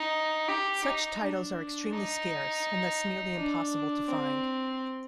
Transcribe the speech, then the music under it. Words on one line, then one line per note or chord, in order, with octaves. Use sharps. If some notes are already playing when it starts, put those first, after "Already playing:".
Such titles are extremely scarce and thus nearly impossible to find.
Already playing: D#4
G4
D#4
D4
D#4
D4
C4